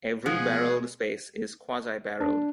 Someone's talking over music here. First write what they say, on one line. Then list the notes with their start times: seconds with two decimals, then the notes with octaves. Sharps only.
Every barrelled space is quasi-barrelled.
0.26 B2 F3 G#3 G#4 F#5
2.20 D4